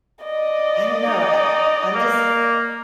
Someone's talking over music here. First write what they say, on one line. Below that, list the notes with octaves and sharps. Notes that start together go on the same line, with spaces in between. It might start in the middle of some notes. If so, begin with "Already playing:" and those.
I don't know, I I I'm just
D5 D#5
D#4
A#3